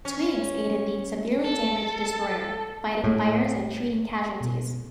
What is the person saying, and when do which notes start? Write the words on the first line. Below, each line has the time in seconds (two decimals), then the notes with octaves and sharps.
"Twiggs" aided the severely damaged destroyer, fighting fires and treating casualties.
0.05 C#4
1.44 A4
3.04 A2
4.40 B2